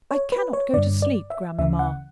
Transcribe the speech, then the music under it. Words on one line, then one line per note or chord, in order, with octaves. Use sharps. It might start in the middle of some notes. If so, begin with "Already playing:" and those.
"I can't go to sleep, grandmamma."
C#5
B4
C#5
G2 D3 D5
D5
E5
D2 C#3 E3 E5
F#5